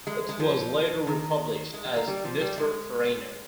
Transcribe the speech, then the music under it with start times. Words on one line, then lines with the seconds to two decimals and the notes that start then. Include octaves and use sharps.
It was later republished as "Mr Foreigner".
0.07 G#3
0.29 G#3
0.40 F3
1.07 D#3
1.74 G#3
1.85 G3
1.96 A#3
2.08 G3
2.24 F3
2.41 G3
2.58 G#3